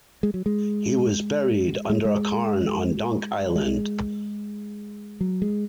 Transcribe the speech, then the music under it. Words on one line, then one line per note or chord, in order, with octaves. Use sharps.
He was buried under a cairn on Dunk Island.
G#3
F#3
G#3
G#3
G#3
G#3
F#3
G#3